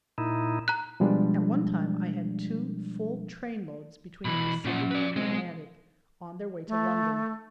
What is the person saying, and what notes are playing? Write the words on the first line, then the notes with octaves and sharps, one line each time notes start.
At one time I had two full trainloads between the Pacific and the Atlantic, on their way to London.
A#2 D#4 E4
A#5 F#6
B2 F3 G3 G#3 D4
B2 E3 B5
A#2 F3 C#4 F#5
B4 D5
B1 G#3 C4
A3